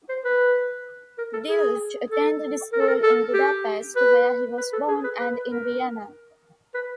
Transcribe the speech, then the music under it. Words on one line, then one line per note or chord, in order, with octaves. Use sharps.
Deutsch attended school in Budapest, where he was born, and in Vienna.
C5
B4
A#4
A4
G#4
A4
A#4
A4
A#4
A4
G4
B4
B4
A4
G#4
B4
B4
A#4
B4